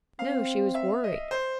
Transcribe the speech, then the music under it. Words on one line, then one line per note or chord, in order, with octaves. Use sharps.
"No--she was worried."
C4 F5
E5
D#5
C5